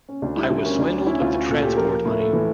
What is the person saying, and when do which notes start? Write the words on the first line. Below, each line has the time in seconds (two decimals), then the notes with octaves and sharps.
I was swindled of the transport money.
0.09 C#4
0.22 D2 D4
0.36 G3 E4
0.50 D2 E4
0.64 A#3 C#4
0.78 D2 D4
0.93 C#4
1.06 C#4 E4
1.20 D2 F4
1.34 C#4
1.49 A#2 A4
1.62 A#2 G4
1.77 F3 A#4
1.91 A#3
2.05 A2
2.19 A#3 A4
2.33 E3